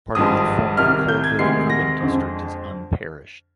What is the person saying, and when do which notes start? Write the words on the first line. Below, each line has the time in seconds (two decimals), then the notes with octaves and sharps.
Part of the former Coalville Urban District is unparished.
0.15 G#1 G2 F3 G#3 D#6
0.77 C2 C3 D#3 F6
1.08 G6
1.24 G#6
1.39 D2 C3 D#3 G#3 C7
1.70 A#6
2.00 F2 D3 G#3